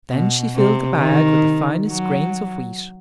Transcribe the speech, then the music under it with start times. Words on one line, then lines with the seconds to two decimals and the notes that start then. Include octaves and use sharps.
Then she filled the bag with the finest grains of wheat.
0.11 B2
0.55 C3
0.99 D#3
1.88 F#3